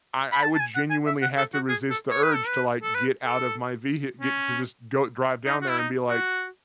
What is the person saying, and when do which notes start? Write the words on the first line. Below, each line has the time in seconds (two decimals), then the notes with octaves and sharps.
I I would genuinely have to resist the urge to, like, get out of my vehi get to this go drive down there and be, like,
0.32 B5
0.43 A5
0.55 A5
0.60 G#5
0.75 F#5
0.90 G#5
1.07 E5
1.22 F#5
1.38 A4
1.54 F#4
1.69 G#4
1.90 A4
2.11 C#5
2.23 B4
2.35 A4
2.47 B4
2.83 A4
2.94 B4
3.26 A4
4.21 C#4
5.46 D#4
5.62 F#4
5.69 E4
5.78 D#4
6.09 F#4